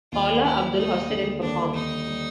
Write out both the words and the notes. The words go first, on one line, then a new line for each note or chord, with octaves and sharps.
Paula Abdul hosted and performed.
D#2 F4
D#2 E4
G3 D#4
D3
D#2 D4
D#2 D#4
G3